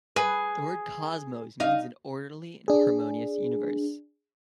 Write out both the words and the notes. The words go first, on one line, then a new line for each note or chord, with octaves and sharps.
The word "cosmos" means an orderly and harmonious universe.
G#4 B4
D#4 F5
D4 G#4